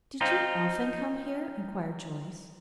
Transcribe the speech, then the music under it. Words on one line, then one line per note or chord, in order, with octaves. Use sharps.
"Did you often come here?" inquired Joyce.
C4 D#4 F4